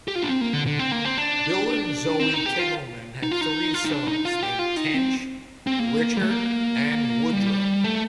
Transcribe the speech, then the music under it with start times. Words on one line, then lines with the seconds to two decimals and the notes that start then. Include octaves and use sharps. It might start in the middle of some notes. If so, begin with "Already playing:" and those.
Bill and Zoe Tilghman had three sons named Tench, Richard, and Woodrow.
0.08 G4
0.15 F4
0.23 D4
0.28 C4
0.41 A#3
0.53 D3
0.67 D3
0.79 C4
0.92 A#3
1.05 C4
1.18 D4
2.20 C4
2.34 D#4
2.46 G4
2.59 F4
3.23 D#4
3.31 F4
3.41 D#4
3.74 F4
3.85 D#4
3.92 D4
4.08 D#4
4.25 F4
4.43 G4
4.59 F4
4.77 D#4
4.94 C4
5.67 C4
5.79 A#3
6.17 G3
6.23 A3
6.31 A#3
7.33 G3
7.84 A3